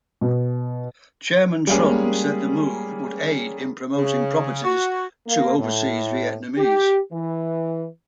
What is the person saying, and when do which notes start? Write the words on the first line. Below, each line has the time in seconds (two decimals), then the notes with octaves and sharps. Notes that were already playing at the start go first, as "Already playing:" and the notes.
Chairman Trung said the move would aid in promoting properties to overseas Vietnamese.
0.21 B2
1.67 G3 G#3 A#3 C#4 G#4
3.98 C#3
4.64 F#4
5.27 A#3
5.58 A2
6.58 G4
7.12 E3